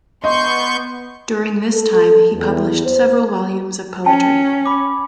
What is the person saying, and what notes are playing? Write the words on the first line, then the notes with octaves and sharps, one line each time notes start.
During this time, he published several volumes of poetry.
B3 D#5 C6 C#6 G6
A4
E2
C5
C#4 G5 A5
B5 D6